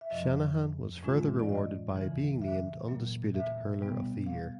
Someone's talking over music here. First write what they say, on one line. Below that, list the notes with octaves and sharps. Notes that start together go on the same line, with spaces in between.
Shanahan was further rewarded by being named undisputed Hurler of the Year.
E5
F2 C3 F3 D#5
A2 E3 G#3 C#4 F4
D5
D#5
E2 C#3 E3
E5
A#2 F#3 A#3
E5
B2 G3 B3
F5